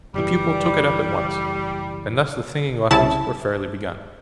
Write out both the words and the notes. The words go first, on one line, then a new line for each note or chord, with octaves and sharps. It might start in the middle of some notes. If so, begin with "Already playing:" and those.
The pupil took it up at once, and thus the singing lessons were fairly begun.
F#1 E3 G3
C2 C#3 E4 A5